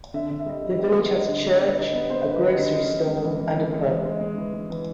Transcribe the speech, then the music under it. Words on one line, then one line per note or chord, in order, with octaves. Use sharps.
The village has a church, a grocery store and a pub.
D3 E5
D3
E5
G3 D#5
G3
D#5
B3 D5
B3
D#4
D3
G3
B3
D#4
B3
B3 C5
D3
B4
G3
D#5
D3
C#4 D#5
E3
G#3
E3
E3
E3
G#3
E3
G#3
G#3
E3
G#3
E3